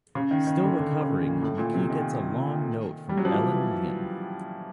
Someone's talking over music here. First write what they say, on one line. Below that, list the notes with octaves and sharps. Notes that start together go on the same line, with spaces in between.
Still recovering, McKee gets a long note from Ellen Leon.
C#3
D#3
D#3
D3
D3
C#3
A#2
A2
A#2
C3
D#3
G3
F#3
F3
E3
E3